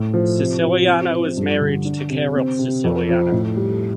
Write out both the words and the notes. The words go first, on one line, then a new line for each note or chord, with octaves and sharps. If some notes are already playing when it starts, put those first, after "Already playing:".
Siciliano is married to Carol Siciliano.
Already playing: A2
F3
C3
F3
C4
F3
G2
D3
D4
C3
C4
C3
F2
F3
A2
G3